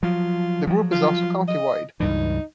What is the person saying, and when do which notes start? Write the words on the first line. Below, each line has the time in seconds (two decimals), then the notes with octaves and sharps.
The group is also countywide.
0.03 F3 F#3 F4
0.67 F3 F#3
0.92 F4
1.48 D#5
2.00 C#2 G2 E3 D#4